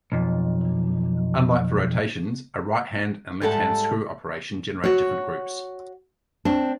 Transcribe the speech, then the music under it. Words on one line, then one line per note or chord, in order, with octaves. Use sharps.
Unlike for rotations, a righthand and lefthand screw operation generate different groups.
B1 F2
G#2 G3 A4 E5 F#5 A5
F#4 C#5
C4 D4